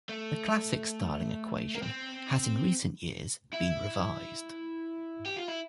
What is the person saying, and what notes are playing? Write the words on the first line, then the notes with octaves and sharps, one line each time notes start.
The classic Starling equation has in recent years been revised.
A3
A#3
C4
E4
G4
F4
E4